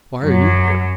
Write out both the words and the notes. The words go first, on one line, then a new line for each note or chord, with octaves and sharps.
"Why are you here?"
F#2 F#3